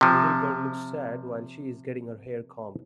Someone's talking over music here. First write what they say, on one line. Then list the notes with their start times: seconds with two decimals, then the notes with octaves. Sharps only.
A little girl looks sad while she is getting her hair combed.
0.01 C3 F3